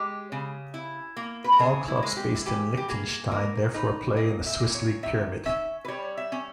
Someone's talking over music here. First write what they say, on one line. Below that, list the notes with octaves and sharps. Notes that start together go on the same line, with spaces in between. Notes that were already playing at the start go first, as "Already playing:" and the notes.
All clubs based in Liechtenstein therefore play in the Swiss league pyramid.
Already playing: G#3 G4
C#3
E4
A#3
B4
A#4
C#3 G#4
E4
G#3
G4
E4
E3 G4
G4
A#3 G#4
A#3 A#4
D#4 B4
A#2 D#5
E5
A#2
C#5
D#3 E5
C#4 E5
B4
G3 C#5
E5
C#4